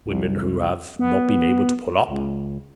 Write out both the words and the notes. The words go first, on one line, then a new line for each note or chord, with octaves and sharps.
"The women who have--not been able to pull up?"
C2
B3
C#2